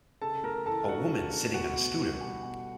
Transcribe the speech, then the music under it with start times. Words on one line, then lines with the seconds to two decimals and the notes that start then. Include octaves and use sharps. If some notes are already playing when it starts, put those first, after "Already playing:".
A woman sitting on a scooter.
0.22 C#3 A4 A5
0.43 A3 A#4 A#5
0.66 E3 A4 A5
0.88 D4 F#4 F#5
1.11 C#3
1.32 A3
1.54 B2 F#4 F#5
1.77 B3
1.99 G3
2.21 B2
2.43 B2